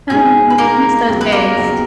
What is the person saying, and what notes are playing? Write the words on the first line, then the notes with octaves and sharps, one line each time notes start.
Um, miss those days.
B2 G#3 D#4 G#4
B4
B2 G#3 A#3 D#4 A#4
D#2 C#3 F#3 B3
B4
A#3 A#4
D#2 C#3 F#3 B3